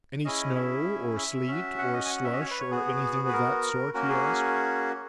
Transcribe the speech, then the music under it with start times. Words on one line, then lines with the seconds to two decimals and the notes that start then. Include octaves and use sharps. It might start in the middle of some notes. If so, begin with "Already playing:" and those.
'Any snow, or sleet, or slush, or anything of that sort?' he asked.
0.25 C#4 E4 G#4 D#5
0.55 E5
1.17 E5
1.47 C#4 F#4
1.78 F#5
1.94 D#5
2.05 G#5
2.10 F#5
2.24 E5
2.33 D#5
2.41 C#5
2.51 B4
2.61 C#5
2.71 B3 F#4 G#4
3.28 B4
3.33 A#4
3.94 A#3 C#4 F#4 A#4
4.09 G#4